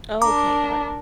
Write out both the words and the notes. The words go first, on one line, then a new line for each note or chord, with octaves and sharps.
Okay, got it.
D4 A#4 A#5 D6